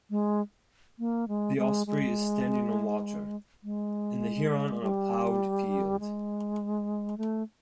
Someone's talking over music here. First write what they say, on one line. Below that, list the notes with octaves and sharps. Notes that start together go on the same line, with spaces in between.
The osprey is standing on water, and the heron on a ploughed field.
G#3
A#3
G#3
G#3
G#3
G#3
G3
G#3
A3